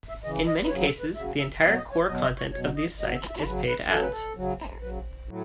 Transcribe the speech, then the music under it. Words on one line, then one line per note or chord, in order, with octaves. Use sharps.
In many cases, the entire core content of these sites is paid ads.
E5
C#3 E3 D#5
D#5
B4
C#3 F#3 C#5
A4
B4
C#3 F#3 E5
E5
B2 F#3 D#5
C#5
D#5
C#5
B2 F#3 D#5
D#5
C#5
B2 F#3 C#5
D#5
B2 F#3 D#5
E5
E5
C#3 F#3 B4
B4
C#3 F#3 A4
B4
A4
C#3 F#3
C#3 F#3 B4
A2 F#3